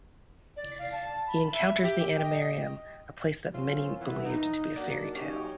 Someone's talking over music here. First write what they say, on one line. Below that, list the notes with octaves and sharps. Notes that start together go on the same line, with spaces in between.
He encounters the Animarium, a place that many believed to be a fairy tale.
D5
F5
A5
B5
E5
G4
G5
D#5
D#5
A#2 F#3 C4 C#4 F4
E3 B3
D#4
F#3 A#3 D4 D#4 D5 F#5
F#3 C#4 D#4 G4